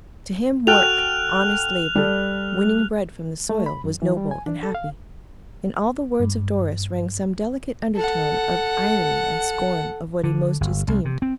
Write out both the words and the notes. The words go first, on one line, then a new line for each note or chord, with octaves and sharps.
To him work, honest labor--winning bread from the soil, was noble and happy; in all the words of Doris rang some delicate undertone of irony and scorn, of what he most esteemed.
F#4 A4 G5 F6 F#6 F7
G3 A4
A3
B5
F#2
E3
G3
G#5
D4
A4
F5
G2
A4 F#5
D3
G1
C2
C3
C4